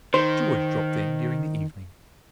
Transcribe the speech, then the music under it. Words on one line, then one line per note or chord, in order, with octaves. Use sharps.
George dropped in during the evening.
D#3 C5